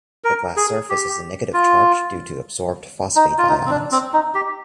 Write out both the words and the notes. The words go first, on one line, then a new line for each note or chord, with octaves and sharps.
The glass surface has a negative charge due to adsorbed phosphate ions.
A#4
G#4
G4
F4
D#4
F4
D#4
C4
D4
C4
D#4
G4